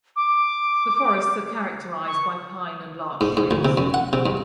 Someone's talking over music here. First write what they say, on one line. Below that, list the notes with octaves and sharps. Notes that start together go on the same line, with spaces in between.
The forests are characterized by pine and larch trees.
D6
C#6
G#2
G#2
D2
C3
F#2
F#5
C3
G2